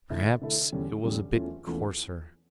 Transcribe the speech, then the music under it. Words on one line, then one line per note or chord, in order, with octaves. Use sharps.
Perhaps it was a bit coarser.
D3 A3 E4 A4
D3 A3 E4 A4
E2 D3 G3 C#4
E2 D3 G3 C#4
E2 E3 A3 C#4 F4
E2 E3 A3 C#4 F4